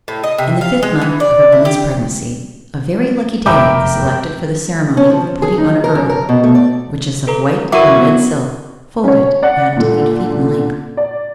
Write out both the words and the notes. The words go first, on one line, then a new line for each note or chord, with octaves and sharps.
In the fifth month of a woman's pregnancy, a very lucky day is selected for the ceremony of putting on a girdle, which is of white and red silk, folded, and eight feet in length.
A2
D#5
C3
F5
G#3
E3
D5
E4
G4
F1 F#2 B2 A#4 E5 G5 B5 D6
C#4
F3
G#4
D#4
A#4
F#2
A#4
B2
A3
D5
A4 B4 A#5
F#3 E4 F#4 A#4 D6
B3
C#4 C#5
D5 F#5
A#2 D3
D5